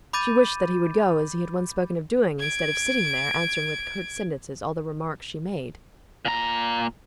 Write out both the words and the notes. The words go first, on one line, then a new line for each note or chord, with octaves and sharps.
She wished that he would go, as he had once spoken of doing, instead of sitting there, answering with curt sentences all the remarks she made.
B5 D6 G6 A6 D#7
G#6 D7
A#2 A#5